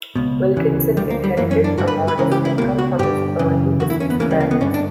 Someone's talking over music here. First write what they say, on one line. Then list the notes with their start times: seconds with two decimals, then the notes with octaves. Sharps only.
Wilkinson inherited a modest income from his early-deceased parents.
0.16 C#2 B2
0.56 D2 C#3 E3
0.97 D2 D3 G3
1.10 A#3
1.24 G3
1.37 F#2 E3 A#3
1.51 C#4
1.64 D4
1.78 G2 D3 F#4
1.88 B4
2.08 B4
2.18 C#2 C#3 E3 A#4
2.32 G4
2.45 E4
2.58 C#2 B2 A#3
2.78 F#4
2.99 G2 D3 G4
3.39 F#2 C#3 E3
3.80 E2 D3 F#4
3.90 E4
4.00 C#4
4.10 B3
4.20 D2 C#3 E3 A#3
4.31 G3
4.41 A#3
4.51 B3
4.61 G2 D3 C#4
4.74 D4